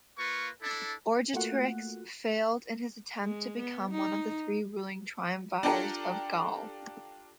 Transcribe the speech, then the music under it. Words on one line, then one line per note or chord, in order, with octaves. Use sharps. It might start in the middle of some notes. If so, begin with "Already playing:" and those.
Orgetorix failed in his attempt to become one of three ruling triumvirs of Gaul.
A#3 F4 B4 C#6
D4 E4 A4
A3 A#3 F4 F#4 F#5
G#3
B3
D#4
D4 F4 G4 A4 A#4